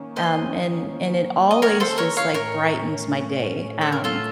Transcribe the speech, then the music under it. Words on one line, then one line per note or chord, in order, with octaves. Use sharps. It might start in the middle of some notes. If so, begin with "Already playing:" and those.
um, and and it always just, like, brightens my day, um,
Already playing: D#3 A#3 C#4
C5 D#5
D#5
A#4 C#5
A4 C5
A#4 C#5
C#5 F5
A2 A3 C#4 A#4 C#5
A4
A#4
F4 A4